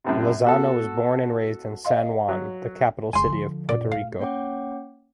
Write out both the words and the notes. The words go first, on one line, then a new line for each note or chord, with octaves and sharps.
Lozano was born and raised in San Juan, the capital city of Puerto Rico.
F#2 A2 C3
B3 F#4 A4
D#5 F5 C6
F#3
F#1 G#3 G#5 C6
D3 F3
F#2 A#2 D5
A#2 A3 F5
A#3 C#4 C#5 F#5 G5 D6